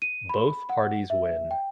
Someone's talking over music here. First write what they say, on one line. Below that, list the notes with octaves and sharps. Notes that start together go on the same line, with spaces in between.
Both parties win.
D#7
B5
F#5
E5
G5